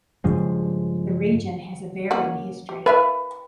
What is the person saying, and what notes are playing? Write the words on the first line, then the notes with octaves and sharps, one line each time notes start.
The region has a varied history.
G2 C#3 F3 G#3
A#3 C#4 F#4
G4
A#4 B4 E5 F5